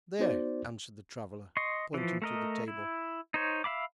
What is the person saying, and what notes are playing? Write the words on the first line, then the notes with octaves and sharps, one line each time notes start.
"There," answered the traveler, pointing to the table.
B3 D#4 F#4 C5 D5
D#5 C6 C#6
E3 F3
A3 A#4 D#5
E4
D#4 C5 C#5
E5 F5 B5 D6